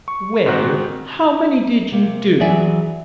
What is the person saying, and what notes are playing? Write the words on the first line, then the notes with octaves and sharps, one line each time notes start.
"Well, how many did you do?"
C#6
G#2 D#3 C4 F#4 F#5 F#6
C3 A#3
E3 F#3 G#4 D5 E5 G#5